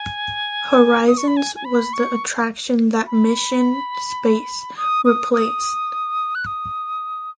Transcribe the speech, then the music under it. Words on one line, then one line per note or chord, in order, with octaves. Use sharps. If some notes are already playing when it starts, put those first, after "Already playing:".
Horizons was the attraction that Mission: Space replaced.
Already playing: G#5
D#6
C#6
B5
G#5
G#5
B5
C#6
B5
D#6
D#6
D#6
F#6
D#6